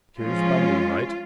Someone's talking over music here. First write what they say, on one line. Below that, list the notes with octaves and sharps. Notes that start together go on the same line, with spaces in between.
Piers by moonlight.
F3 G#3 C#4 F4